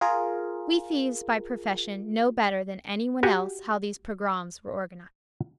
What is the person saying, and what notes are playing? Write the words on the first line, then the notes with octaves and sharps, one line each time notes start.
We thieves by profession know better than any one else how these pogroms were organised.
F4 G#4 A#4
F#4 G4 G#5